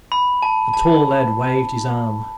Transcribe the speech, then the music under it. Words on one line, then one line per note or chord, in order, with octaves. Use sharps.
The tall lad waved his arm.
B5
A5
A5